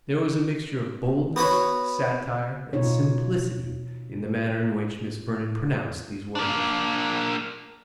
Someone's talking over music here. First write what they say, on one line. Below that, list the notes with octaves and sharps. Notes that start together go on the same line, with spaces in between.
There was a mixture of boldness, satire, and simplicity in the manner in which Miss Vernon pronounced these words.
B3 F#4 B4 C#5
B2 D#4 F4 C#5
A#3 D4